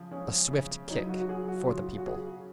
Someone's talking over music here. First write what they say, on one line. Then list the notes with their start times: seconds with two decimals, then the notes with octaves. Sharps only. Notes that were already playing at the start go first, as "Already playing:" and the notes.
A swift kick for the people.
Already playing: C#3 F3
0.11 G#3 C#4
0.51 C#3
0.90 F#3 D#4
1.09 F#4
1.20 F#4
1.28 F#3 G#4
1.48 F#4
1.67 C#3 F4
1.98 F#4
2.06 C#3 G#4